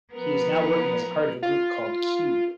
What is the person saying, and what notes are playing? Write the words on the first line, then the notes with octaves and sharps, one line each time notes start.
He is now working as part of a group called "Q".
F3 B3 A#4 B4
F4